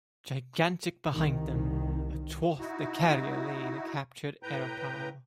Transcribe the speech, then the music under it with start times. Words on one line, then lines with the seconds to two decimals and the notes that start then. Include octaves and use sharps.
Gigantic behind them, athwart the carrier lay the captured aeropile.
1.11 C2 D#3
2.57 D#4 E4 F#4
4.43 A2 B4 G5 A#5 G6